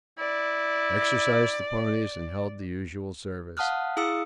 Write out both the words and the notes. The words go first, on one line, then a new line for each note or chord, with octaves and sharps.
Exercised the ponies and held the usual service.
E4 D5
F5 F#5 A5 D#6 F6 F#6
E4 G#4 F5 D#6 E6 C#7